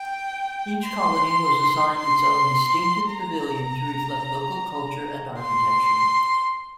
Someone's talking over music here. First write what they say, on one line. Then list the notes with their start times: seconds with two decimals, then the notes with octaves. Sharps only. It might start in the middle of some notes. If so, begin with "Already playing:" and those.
Each colony was assigned its own distinctive pavilion to reflect local culture and architecture.
Already playing: G5
0.83 C6
1.97 C6
3.11 A#5
5.39 C6